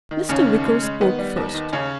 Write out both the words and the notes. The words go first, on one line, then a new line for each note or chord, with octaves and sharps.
Mr. Wicker spoke first.
D#3
D#2 C#3 C#4
D#3
G#3
G#3
D#3 B3
G3
D#2
D#3
D#2 C#3 C#4